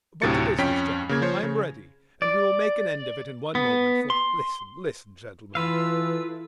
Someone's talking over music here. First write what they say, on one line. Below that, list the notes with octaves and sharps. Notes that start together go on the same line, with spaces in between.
But to business, gentlemen, I am ready, and we will make an end of it in one moment; for, listen, listen, gentlemen!
D2 A2 C3 F#3 A6 C#7
F2 C#4 G5 B6
C#3 A#3 G#6
F3 C5 C#5
C#3
D5
B3
C6
E3 E4 F4 A4 B4 F5 E6